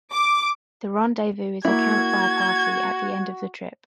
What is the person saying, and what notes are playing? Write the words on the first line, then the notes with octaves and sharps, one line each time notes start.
The Rendezvous is a campfire party at the end of the trip.
D6
A#3 E4 F#4 G#6